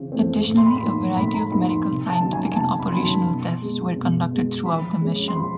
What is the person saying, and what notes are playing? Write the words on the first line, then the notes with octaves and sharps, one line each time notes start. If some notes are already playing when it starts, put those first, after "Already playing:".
Additionally, a variety of medical, scientific and operational tests were conducted throughout the mission.
Already playing: C#3 E3 C4
E3 A3 C4
A2
C6
B5
C6
F3 A#3 D#4
A2 B5
A#5
F3 A#3 D#4 B5
C6
C3
A5
D#3 F#3 A#3 C#4
G#5
G#5
C3 A5
B5
C6
D#3 F#3 A#3 C#4 B5
C6
B2
G#3 B3
B2
G#3 B3
F3 B5
G#3 C#4
C6
F3 B5